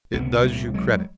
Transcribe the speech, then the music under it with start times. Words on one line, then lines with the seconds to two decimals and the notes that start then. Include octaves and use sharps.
It does you credit.
0.14 C#2 C3 A3 B3
0.43 G3 A3
0.74 F#3 G#3